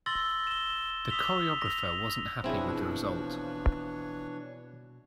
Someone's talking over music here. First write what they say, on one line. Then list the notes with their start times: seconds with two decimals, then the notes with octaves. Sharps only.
The choreographer wasn't happy with the result.
0.06 C6 E6 A6 A#6 F#7 G7
0.47 E7 G7
1.09 D#6 E6 B6 F7 G7
1.61 A#6 F7
2.44 B2 E3 F3 C4 D4 E4 G#4 C#5